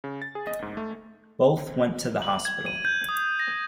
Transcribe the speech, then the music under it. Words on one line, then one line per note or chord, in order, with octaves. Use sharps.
Both went to the hospital.
C#3
A6
G#4
D#5
G#2
A3
F#7
G#6
D#7
G6
D#6
A#6